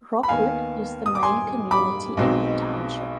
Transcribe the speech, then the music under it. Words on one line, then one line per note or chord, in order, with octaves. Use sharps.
Rockwood is the main community in the township.
B5
D#2 D#3 B3 F5 G#5
D#6
D6
G#5 C6
B5 D6
B1 B2 G#3 C4 D#4